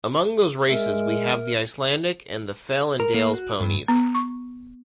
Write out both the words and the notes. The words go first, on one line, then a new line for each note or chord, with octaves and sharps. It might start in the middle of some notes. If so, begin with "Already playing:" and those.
Among those races we have the Icelandic, and the Fell and Dales ponies.
G#3 A#4 E5
A#4
A#3
F#4
G2
B3
C#6